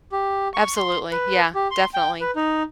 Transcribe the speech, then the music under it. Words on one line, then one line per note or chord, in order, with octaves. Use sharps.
Absolutely, yeah, definitely.
G4
C#6
C6
B4
G4
C6
G5
B4
D#4